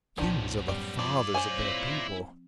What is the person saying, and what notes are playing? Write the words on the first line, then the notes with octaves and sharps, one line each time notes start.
Kings are the fathers of their people.
C2 A#2 D#3 F3 B3 C#4 D4
F#2 A2 G3
F3 F4 D5
C5 C#5 G#5
F3 C4 E4